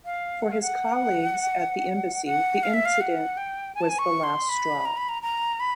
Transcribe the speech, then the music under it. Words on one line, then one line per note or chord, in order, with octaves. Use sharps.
For his colleagues at the embassy, the incident was the last straw.
F5
F#5
F5
F#5
F#5
F5
E5
F5
F#5
G5
G#5
A5
G#5
C#6
C6
B5
A#5
B5
A#5
A#5
B5